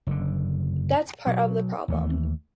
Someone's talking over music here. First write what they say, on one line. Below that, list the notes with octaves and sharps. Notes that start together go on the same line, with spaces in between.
That's part of the problem...
F#1 D3
B2 F#3
D#2 E3 A3